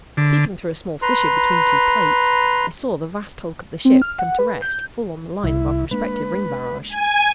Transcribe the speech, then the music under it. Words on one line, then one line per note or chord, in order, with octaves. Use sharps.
Peeping through a small fissure between two plates, I saw the vast hulk of the ship come to rest full on the line of our prospective ring barrage.
D3
B4 A#5 C6
C4
F6
F#5
B4
G6
C2 E4
G#3 A#3 D4 B4
G#5